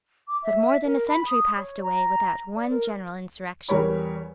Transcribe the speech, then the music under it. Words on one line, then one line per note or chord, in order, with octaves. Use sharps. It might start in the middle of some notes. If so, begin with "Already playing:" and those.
But more than a century passed away without one general insurrection.
D6
E5
A#4
B5
D#6
C#5
A#5
D5
A#4
E2 G3 A#4 C#5 B5